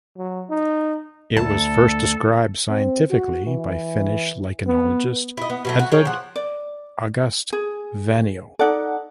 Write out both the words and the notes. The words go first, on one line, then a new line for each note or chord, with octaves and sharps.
It was first described scientifically by Finnish lichenologist Edvard August Vainio.
F#3
D#4
D2 A4 A5
C4
F#4
E3
B3
E4 D#5
B3
B2 F#3 A3
F#4
G#4 A#4 C#5 G5
F3 F#5
D5
G#4
D#4 A4 D5 F#5